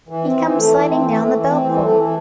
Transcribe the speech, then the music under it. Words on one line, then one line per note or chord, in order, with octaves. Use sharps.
He comes sliding down the bell-pull.
E3
C4
E3
A3
E3
C4
E3
A3
E3
C4
E3
A3
E3